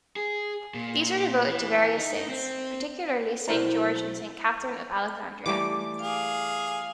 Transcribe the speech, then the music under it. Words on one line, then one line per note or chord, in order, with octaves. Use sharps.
These were devoted to various saints, particularly Saint George and Saint Catherine of Alexandria.
G#4
A#2
E3
D#4
C4
B1 E4 A#4 C5 D5 A#5
E3 G3 A3 D6
G#4 F5